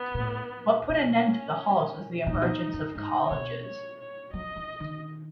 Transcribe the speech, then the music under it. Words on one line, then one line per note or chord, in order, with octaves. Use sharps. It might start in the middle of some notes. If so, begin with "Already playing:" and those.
What put an end to the halls was the emergence of colleges.
Already playing: B3
B2
A2
B2 C#4
B2 D#4
A2
B2
F#2
G#2 D#4
B2 C#5
C#5
C#5
F#3 D#5
E3
D#3